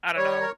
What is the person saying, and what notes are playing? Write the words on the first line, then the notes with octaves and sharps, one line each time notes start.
I don't know,
G3 C#5
A#4